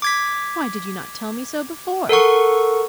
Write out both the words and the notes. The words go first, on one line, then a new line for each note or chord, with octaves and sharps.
Why did you not tell me so before?
D6 G#6 B6
A4 A#4 F#5 C#6